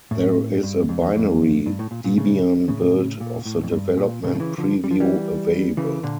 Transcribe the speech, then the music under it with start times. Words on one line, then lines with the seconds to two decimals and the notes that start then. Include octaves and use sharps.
There is a binary Debian build of the development preview available.
0.11 A2
0.63 G2
0.89 F2
1.02 E2
1.16 F2
1.66 G2
1.79 A2
1.91 A#2
2.04 A#2
2.18 A2 C#3
2.68 A2 C#3
3.20 A#2
3.45 A2
3.63 F2
3.72 G2
3.97 A#2
4.23 A2 C#3
4.35 F3
4.40 C#3 E3
4.58 D3 F3
4.84 G3
4.91 F3
5.00 E3 G3
5.77 C#3 E3
6.03 A#2 D3